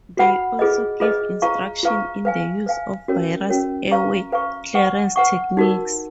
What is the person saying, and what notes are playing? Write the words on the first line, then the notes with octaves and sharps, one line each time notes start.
They also give instruction in the use of various airway clearance techniques.
F#4 B4 F#5 B5
F4 G#4 B4 D#5
F4 G#4 B4 D#5
F4 B4 F5 A#5 C#6
F4 B4 F5 A#5 C#6
B4 F5 G#5
B4 F5 G#5
C#4 F#4 A#4 C#5
C#4 F#4 A#4 C#5
B4 F5 A#5 C#6
B4 F5 A#5 C#6
B4 F#5 C#6
B4 F#5 C#6
D#4 F#4 A#4